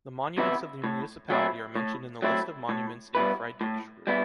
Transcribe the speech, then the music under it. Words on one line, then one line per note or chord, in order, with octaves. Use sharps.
The monuments of the municipality are mentioned in the list of monuments in Friedrichsruhe.
C3 E3 B3 E4
A2
F#3 A3 C4 E4
A2
F#3 A3 C4 E4
A2
G3 B3 E4 B4
A2
G3 B3 E4